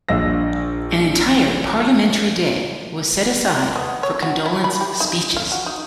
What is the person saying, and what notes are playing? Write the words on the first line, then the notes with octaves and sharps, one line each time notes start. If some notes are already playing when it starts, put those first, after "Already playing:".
An entire parliamentary day was set aside for condolence speeches.
A#1 D4 D#5 F5 E6 A#6
B3
C#5
F#4
E4
B5
G4
D#4
F5
F#4
D#4